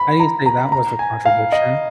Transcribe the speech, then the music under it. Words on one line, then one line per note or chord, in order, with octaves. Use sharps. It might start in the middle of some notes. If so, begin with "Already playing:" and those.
I didn't say that was the contradiction.
Already playing: B5
A#5
A#5
A#5
G#5
F5
D#5